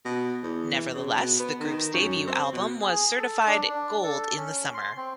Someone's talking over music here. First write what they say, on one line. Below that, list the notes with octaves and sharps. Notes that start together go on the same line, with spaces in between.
Nevertheless, the group's debut album was certified Gold in the summer.
B2
E2
E3
C#3
B2
B3
D#3
F#2
C4
B2
G#4
A4
D4
D4
A4
C#4
C6
C4